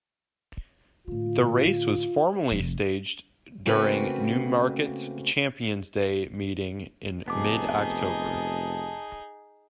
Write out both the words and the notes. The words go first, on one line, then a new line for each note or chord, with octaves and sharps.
The race was formerly staged during Newmarket's Champions' Day meeting in mid-October.
A2 D3 F4
F1 F3
C#3 A3 A#3 C4 F#4 B4
F1 B3 D#4 G#4 A5 D6